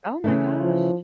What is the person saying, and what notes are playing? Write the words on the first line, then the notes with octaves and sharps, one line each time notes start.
Oh my gosh.
C#3 E3 A3
F3